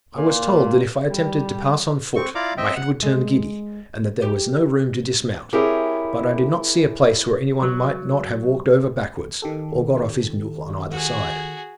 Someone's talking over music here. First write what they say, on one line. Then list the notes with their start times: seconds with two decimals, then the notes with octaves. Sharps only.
I was told that if I attempted to pass on foot, my head would turn giddy, and that there was no room to dismount; but I did not see a place where any one might not have walked over backwards, or got off his mule on either side.
0.15 A#2
1.09 G3
2.16 C4 C#6
2.35 E4 F4 D5 F5 A#5 D6
2.58 C4 D#5 E5 G5
2.76 F#5
3.02 G#3
4.22 G4
5.53 C4 E4 G4 G#4 A#4 C#5
7.62 F#3
9.42 D#3 G4 A4
10.92 F#4 G#4